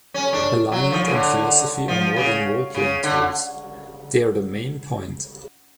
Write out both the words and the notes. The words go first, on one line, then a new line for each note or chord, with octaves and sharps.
Alignment and philosophy are more than roleplaying tools -- they're the main point.
C#4
D4
F#3
F3
C#3
D3
F3
C#3
C#3
D3